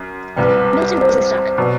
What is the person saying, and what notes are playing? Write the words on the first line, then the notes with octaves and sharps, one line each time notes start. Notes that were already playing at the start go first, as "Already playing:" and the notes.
Milton Rosenstock.
Already playing: F#2
C2 C3 G3 B4
C5
B2 F#3 D5